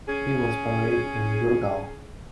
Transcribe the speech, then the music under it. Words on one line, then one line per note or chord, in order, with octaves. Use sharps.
He was buried in Wildau.
C#4 G#4